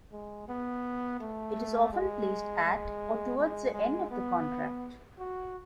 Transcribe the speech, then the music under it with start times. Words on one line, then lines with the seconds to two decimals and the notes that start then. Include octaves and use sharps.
It is often placed at or towards the end of the contract.
0.12 G#3
0.48 B3
1.20 A3
1.93 G#3
2.65 G#3
3.38 G#3
3.74 G#3
4.11 B3
5.19 F#4